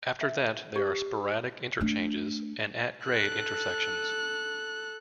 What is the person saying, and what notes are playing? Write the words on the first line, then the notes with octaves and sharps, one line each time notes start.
After that, there are sporadic interchanges and at-grade intersections.
E5
G4
A3 D4
A4 F#6